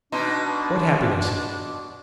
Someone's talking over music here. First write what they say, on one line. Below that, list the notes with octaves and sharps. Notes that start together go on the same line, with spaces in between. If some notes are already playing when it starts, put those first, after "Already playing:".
What happiness!
B2 D4 D#4 C6